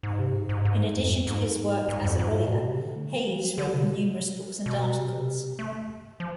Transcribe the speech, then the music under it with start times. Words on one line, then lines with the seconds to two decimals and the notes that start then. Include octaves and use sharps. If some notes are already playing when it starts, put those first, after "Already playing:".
In addition to his work as a lawyer, Hays wrote numerous books and articles.
0.03 G#2
0.19 C3
0.33 G#2
0.49 G#2
0.65 G#2
0.96 F2
1.27 G#2
1.89 G#2
2.04 F2
2.19 G#2
2.34 A2
2.50 B2
2.66 C3
2.80 D3
2.96 A3
3.12 F3
3.27 E3
3.43 F3
3.58 D3
3.73 C3
3.84 B2
4.66 B2
4.96 C3
5.05 B2
5.14 C3
5.59 A3
6.20 F3